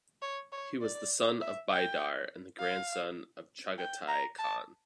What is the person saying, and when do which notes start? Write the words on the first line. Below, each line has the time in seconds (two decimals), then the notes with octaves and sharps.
He was the son of Baidar and the grandson of Chagatai Khan.
0.22 C#5
0.52 C#5
0.82 D5
1.41 E5
1.72 G5
2.60 F5
3.78 G5
4.08 A#5
4.39 A5